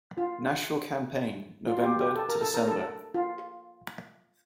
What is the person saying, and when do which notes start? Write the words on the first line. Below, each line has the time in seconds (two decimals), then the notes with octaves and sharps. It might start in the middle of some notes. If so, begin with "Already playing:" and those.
Nashville Campaign November-December.
0.18 F4
1.67 F4
1.77 F4
1.83 G4
1.99 G4
2.15 A4
2.29 A#4
2.41 A4
2.54 A#4
2.68 A4
3.14 F4